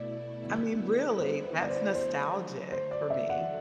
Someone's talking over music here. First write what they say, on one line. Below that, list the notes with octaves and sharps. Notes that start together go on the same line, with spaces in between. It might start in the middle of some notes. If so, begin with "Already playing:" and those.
I mean, really, that's nostalgic for me.
Already playing: B2 A3 E4 D5
D3 G3 B3 E4
C5
B4
D5
C5
D3 F#3 A3 C5
C5
D5
E5
F#5